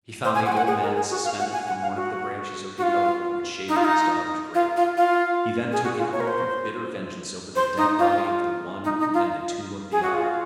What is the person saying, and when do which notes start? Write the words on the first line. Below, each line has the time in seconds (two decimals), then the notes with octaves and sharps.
He found the old man suspended from one of the branches of the oak which shaded his daughter's grave. He then took an oath of bitter vengeance over the dead body of the one and the tomb of the other.
0.24 C5
0.35 G#5
0.46 F#5
0.52 G#5
0.57 F#5
0.67 G#4
0.82 A#4
0.96 G#4
1.11 F#4
1.25 F5
1.39 F#5
1.53 G#5
1.68 F#5
1.82 F5
1.96 F#4
2.78 F#4
2.83 F4
3.69 D#4
3.76 F4
3.85 D#4
4.55 F4
4.77 F4
4.97 F4
5.72 G#4
5.84 F#4
5.98 F4
6.13 C#5
6.20 A#4
6.27 C5
7.56 C5
7.77 D#4
7.99 F4
8.84 D#4
8.99 D#4
9.14 F4
9.92 G#4
10.03 F#4
10.14 F4